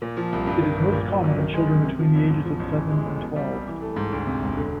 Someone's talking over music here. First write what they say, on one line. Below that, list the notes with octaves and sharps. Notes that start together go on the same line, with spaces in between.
It is most common in children between the ages of seven and twelve.
A#2
F3
C2
G2
D#3
G1
A#2
F#3
B1
D#3
G#3
F#2
C3
F3
E2
G#2
F3
A1
E3
G#3
A2
B2
G3
C2
E3
A3
G#2
D2
C3
E1
D3